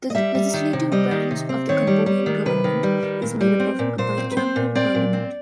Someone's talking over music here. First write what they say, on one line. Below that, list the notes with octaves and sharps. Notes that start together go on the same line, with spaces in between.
The legislative branch of the Cambodian government is made up of a bicameral parliament.
D#5
G3 E5
G3
D#3
C3
G3 D#5
D#3
C3
C4
D#3 C#5
G3
G3
D#3
C3 B4
D#3
G3
D#3
A#2
G3
C4
A#2
A#2 C5
C4
B4
C4 C5
A#2
C4 D5
A#2
C4